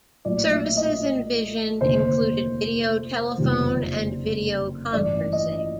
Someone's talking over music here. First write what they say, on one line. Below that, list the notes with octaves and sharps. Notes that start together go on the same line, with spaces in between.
Services envisioned included video telephone and video conferencing.
A#1 A2 F#3 D5
E5
D#5
F1 D#2 D3 C5
F#1 F2 C3 D#3 G3
A1 G2 E3 G3 D5
D#5